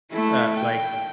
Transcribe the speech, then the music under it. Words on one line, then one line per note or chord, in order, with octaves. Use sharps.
Uh, like,
A3 E4
G5